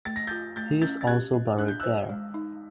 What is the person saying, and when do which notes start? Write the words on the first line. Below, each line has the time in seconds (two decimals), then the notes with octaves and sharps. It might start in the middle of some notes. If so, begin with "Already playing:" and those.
He is also buried there.
0.05 A3 A6
0.16 A#6
0.27 F4 G6 A6
0.56 A3 G6 A6
0.81 C#4 G6 A6
1.01 A6
1.07 G4 F#6 G#6
1.33 D#5
1.58 D4 F#6
1.68 G6
1.80 C5 E6 F#6
2.09 G#3
2.34 D#4